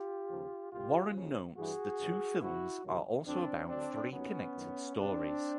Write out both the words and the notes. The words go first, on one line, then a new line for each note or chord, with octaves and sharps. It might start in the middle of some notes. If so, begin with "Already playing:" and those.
Warren notes The two films are also about three connected stories.
Already playing: F4 G4
D#2 C#3 F3
C2 A#2 G3 F4 G4
D#2 C#3 F3
G2 E3 G3 F#4 G#4
G2 D#3 F#3
C#2 C#3 F3 E4 F#4
C2 C3 D#3 F#3
F2 D3 F#3 C4 D4
D2 D3 F#3 C4 D4
D#2 D#3 F#3 B3 C#4
F#2 D#3 F#3
C2 B2 G3 C4 D4